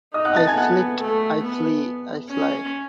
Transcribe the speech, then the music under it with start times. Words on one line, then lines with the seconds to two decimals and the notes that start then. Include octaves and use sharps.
I flit, I flee, I fly.
0.14 D#4 D#5 D#6
0.25 F#5 F#6
0.36 A5 A6
0.47 G#5 G#6
0.57 B3 F#5 F#6
1.02 A3
1.44 B3
2.30 C#4